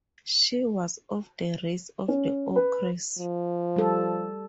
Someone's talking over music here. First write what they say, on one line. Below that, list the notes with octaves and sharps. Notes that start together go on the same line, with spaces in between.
She was of the race of the ogres.
C#4
B4
F3
G3 A4